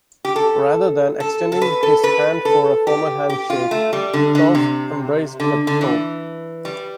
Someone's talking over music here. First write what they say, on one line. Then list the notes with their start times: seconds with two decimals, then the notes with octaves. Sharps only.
Rather than extending his hand for a formal handshake, Toaff embraced the Pope.
0.25 G4
0.36 A4
1.20 A4
1.52 A4
1.61 B4
1.83 A4
2.04 B4
2.45 A4
2.87 G4
3.30 G4
3.50 F4
3.71 A3
3.93 G3
4.13 D3
4.35 D3
4.55 C3
5.40 D3
5.67 D3
5.81 E3
6.65 G3